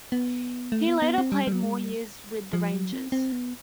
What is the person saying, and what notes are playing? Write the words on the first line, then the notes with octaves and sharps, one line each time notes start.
He later played more years with the Rangers.
B3
A3
B3
B3
C4
G3
G3
F#3
G#3
G3
F3
F#3
C4
C4
B3